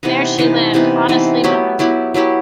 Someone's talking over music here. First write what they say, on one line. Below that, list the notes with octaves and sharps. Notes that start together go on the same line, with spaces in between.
There she lived honestly but miserably.
C3 E3 B3 D#4
C3 E3 B3 D#4
C3 E3 B3 D#4
C3 E3 B3 D#4
F#3 B3 E4 G4
F#3 B3 E4 G4
F#3 B3 E4 G4